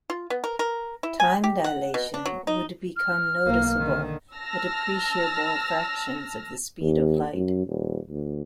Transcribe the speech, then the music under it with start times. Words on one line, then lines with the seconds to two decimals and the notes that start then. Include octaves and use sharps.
Time dilation would become noticeable at appreciable fractions of the speed of light.
0.10 F4
0.30 B3
0.44 A#4
0.59 A#4
1.03 E4
1.20 G#5
1.44 G4
1.64 F#5
1.94 B2
2.14 D4
2.26 F#3
2.47 D#4
2.96 F6
3.46 B1 A#3
3.78 D3 D#3
4.34 A5 E6 F6 A#6
6.81 D#2
7.33 F#2
7.67 D#1
8.09 D2